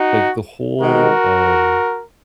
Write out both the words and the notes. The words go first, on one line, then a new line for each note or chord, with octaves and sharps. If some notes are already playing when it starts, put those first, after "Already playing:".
like, the whole, um
Already playing: D#4 F#4
C3 D#3 G#3 F#4 A#4